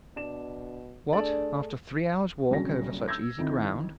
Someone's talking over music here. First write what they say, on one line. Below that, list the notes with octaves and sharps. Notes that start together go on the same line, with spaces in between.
"What! after three hours' walk over such easy ground."
B2 D4 E7
A3 D4 G#4 D5 A5
D#1 A#1 C#3 F#3 C4 A#6
E6 G6 G#6 A#6
F2 D#3 E4